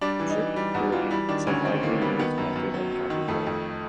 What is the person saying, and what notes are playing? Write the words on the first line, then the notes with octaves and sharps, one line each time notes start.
Drip brewing is a widely used method of coffee brewing.
G3 D4
E3
D#4
E3
G3
E2 F#4
E3 F4
G3 E4
D#3 D4
D2 C#4
D#3 C4
D#3 A#3
G3 B3
D#3 B3
F#2
F#2
F#3
F#3
D#3
F2 A3
F2